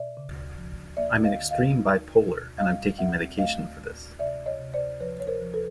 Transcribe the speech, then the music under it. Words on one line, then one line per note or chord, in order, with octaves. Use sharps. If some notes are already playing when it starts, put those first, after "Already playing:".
I'm an extreme bipolar, and I'm taking medication for this ...
Already playing: B2 D5 E5
C#3
F3
A#3 D5 E5
D#5 F5
D3
D#5 F5
D#4
B2
G3 D#5 F5
C4 E5 F#5
A3 D#5 F5
A2
C3 D5 E5
C#5 D#5
C3
C5 D5
F3 B4 C#5
C#5
A#4 C5
F3
A4 B4